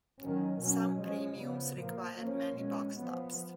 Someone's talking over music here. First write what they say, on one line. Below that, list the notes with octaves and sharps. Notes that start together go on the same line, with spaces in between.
Some premiums required many boxtops.
D#3 F#3 C#4
B2 F#3 C#4
F3 G#3 C#4
C#3 F3 B3
A#2 F3 A#3
F3 A#3 C#4
B2 G#3 C#4
F3 B3